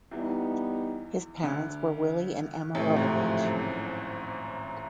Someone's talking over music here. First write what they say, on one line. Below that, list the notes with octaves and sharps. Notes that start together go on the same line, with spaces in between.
His parents were Willie and Emma Loveridge.
E2 E3 G3 B3 D#4
D2 D3
A1 A2 C3 F3 A3
G#1 G#2
F2
F#2